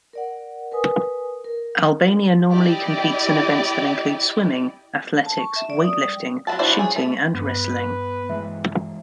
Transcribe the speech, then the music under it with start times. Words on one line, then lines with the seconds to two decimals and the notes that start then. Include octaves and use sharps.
Albania normally competes in events that include swimming, athletics, weightlifting, shooting and wrestling.
0.13 A#4 D5 F#5
0.72 A#4 B4 G#5 D#6
1.44 A#4
2.51 E4 G4 D5 D#5
5.26 A5
5.38 C#6
5.56 E5
5.70 D5
5.84 D#6
6.02 G3
6.47 F#3 C4 E5 F#5 A5
6.59 D4 E4 F#4 C5 D5
6.79 G#4 C#5
6.96 A3
7.34 G2 B3 B4
8.29 E3 G3 G#3 E5